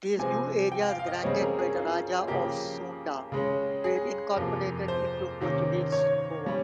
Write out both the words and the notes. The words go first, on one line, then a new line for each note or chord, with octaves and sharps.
These new areas granted by the Raja of Soonda were incorporated into Portuguese Goa.
C3 F3 G#3 C4 G#5
G5
F5
F5
D#5
C#3 G3 C4 C#5
G#4
A#4
G#4
F4
C#3 F3 A#3 G4
C#3 G#3 C#4
G#4
F2 C3 F3 A#3
C5
C3 D#3 A#3 C#4
C#5
G3 C#4